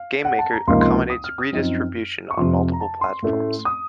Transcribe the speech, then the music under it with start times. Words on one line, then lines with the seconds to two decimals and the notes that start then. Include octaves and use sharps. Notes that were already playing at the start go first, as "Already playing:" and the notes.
GameMaker accommodates redistribution on multiple platforms.
Already playing: F5
0.25 F#5
0.39 A5
0.53 A#5
0.67 C#2 C3 F3 A#3 D#4 C6
0.81 C6
1.10 D#6
1.24 F6
1.38 D#6
1.52 F#2 F3 C4 D#4
2.31 C#6
2.37 F2 C3 F3 C6
2.73 A#5
2.80 A5
3.01 C6
3.23 A2 A3 C#4
3.65 D#6